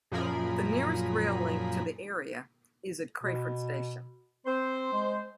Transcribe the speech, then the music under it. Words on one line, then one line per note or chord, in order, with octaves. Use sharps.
The nearest rail link to the area is at Crayford station.
F#2 A#2 F3 G#4 A#4 B5
B2
C4 C5
G#3